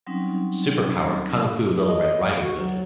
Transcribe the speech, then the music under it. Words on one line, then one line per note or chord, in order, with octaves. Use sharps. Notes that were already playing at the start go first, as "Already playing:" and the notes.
Super Powered Kung Fu Little Red Ridding Hood!
F#3 G3 C4 C#4 D#4
D#5
F#4
F#3